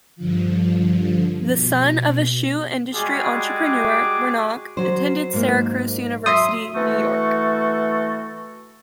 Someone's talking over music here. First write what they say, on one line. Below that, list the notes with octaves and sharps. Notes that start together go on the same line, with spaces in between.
The son of a shoe industry entrepreneur, Brannock attended Syracuse University, New York.
G2 D3 F3
B2
G3 G#3 F#4 G#4 D6
F#3 C5
G#2 A#3
F#3 E5 C6 D#6
E3 A3 F#4 A4